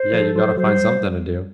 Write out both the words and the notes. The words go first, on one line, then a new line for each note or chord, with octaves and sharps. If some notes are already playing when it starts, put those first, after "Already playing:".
Yeah, you gotta find something to do.
Already playing: C5
F3 A4
F#3 C5
F#3 C5
G3